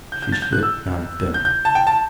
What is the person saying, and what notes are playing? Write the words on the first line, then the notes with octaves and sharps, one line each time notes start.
She should not have done it.
G6
G6
A6
G6
F#6
E6
G6
G6
A5
G5
A5